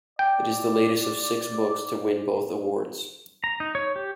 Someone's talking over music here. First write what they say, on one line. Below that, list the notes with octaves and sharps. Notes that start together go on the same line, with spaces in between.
It is the latest of six books to win both awards.
D5 G5
A#5
D#4
C#5
G4